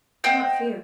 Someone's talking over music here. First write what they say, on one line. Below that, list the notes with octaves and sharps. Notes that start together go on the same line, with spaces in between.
Do not fear.
C5 D#5 F#5 G5